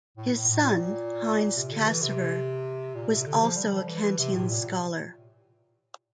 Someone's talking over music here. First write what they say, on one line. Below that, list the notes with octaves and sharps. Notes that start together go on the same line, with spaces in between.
His son, Heinz Cassirer, was also a Kantian scholar.
A2
A2
A2
A#2
C3
D3
E3
C3
A#2
C3
D3
F3
G3
F3
E3
E3
C3
A2
A#2